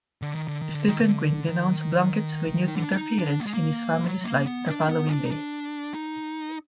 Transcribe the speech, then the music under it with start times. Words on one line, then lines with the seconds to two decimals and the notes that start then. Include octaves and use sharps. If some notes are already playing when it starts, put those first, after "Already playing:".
Stephen Quinn denounced Blunkett's renewed interference in his family's life the following day.
0.22 D3
0.35 D#3
0.48 D3
0.62 D#3
0.75 D3
0.88 D#3
1.01 D3
1.49 D#3
2.68 D#4
2.77 D4
2.92 D4
2.97 D#4
3.19 D4
3.40 A#3
3.46 G#3
3.54 A#3
4.04 F#3
4.24 A#3
4.46 B3
4.67 D4
4.88 B3
5.09 D4
5.26 D#4
5.31 D4
5.94 D#4